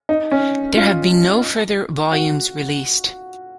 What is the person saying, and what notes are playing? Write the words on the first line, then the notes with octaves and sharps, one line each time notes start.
There have been no further volumes released.
D#4
C#4
F4
F#4